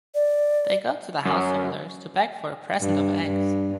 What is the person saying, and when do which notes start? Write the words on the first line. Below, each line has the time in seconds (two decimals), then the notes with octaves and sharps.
They go to the householders to beg for a present of eggs.
0.15 D5
1.25 F#2
2.80 G2
3.25 G2